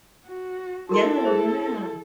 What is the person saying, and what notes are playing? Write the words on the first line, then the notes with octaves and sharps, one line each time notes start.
yeah. Yeah,
F#4
E4 F#4 A4 A#4 C6
G#4 C5 E5